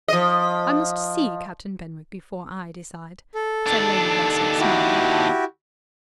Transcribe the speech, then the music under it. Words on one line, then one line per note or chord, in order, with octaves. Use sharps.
"I must see Captain Benwick before I decide," said Lady Russell, smiling.
F3 D#5
A4
D#2 D4
E4 F#4 G4